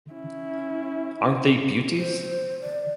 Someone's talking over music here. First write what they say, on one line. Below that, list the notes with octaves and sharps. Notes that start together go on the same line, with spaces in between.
Aren't they beauties?
C#4 E4
C5
D5